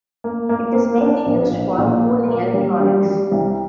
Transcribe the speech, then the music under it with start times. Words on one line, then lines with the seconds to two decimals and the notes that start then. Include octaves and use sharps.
It is mainly used for cooling electronics.
0.24 A#3
0.49 A#3
0.75 A#3
1.01 D4
1.26 A#1
1.51 A#1
1.78 A#2
2.03 A#3
2.28 A#3
2.54 G3
2.80 G3
3.05 G3
3.32 C2